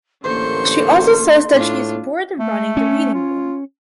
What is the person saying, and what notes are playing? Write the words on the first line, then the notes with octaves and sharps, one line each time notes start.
She also says that she is bored of running the reading room.
A1 D3 A#3 C5 C6 C#6
A2 D4 F4
A3
C#4
F4